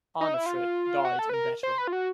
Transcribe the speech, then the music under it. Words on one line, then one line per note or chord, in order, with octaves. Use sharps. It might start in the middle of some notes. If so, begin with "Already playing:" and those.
Arnefrit died in battle.
D#4
E4
F4
F#4
A4
B4
A#4
C5
B4
F4
F#4